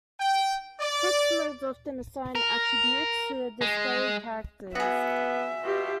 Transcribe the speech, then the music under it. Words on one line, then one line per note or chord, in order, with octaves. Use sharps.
Text modes often assign "attributes" to the displayed characters.
G5
D5
A#4
G#3
B3 F#4 G#4 E5
B2 F4 G4